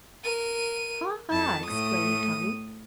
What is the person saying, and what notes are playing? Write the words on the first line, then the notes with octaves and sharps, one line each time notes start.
"Ha, ha!" exclaimed Tommie.
A#4 D#7
F2 A5
A2 A3 D#6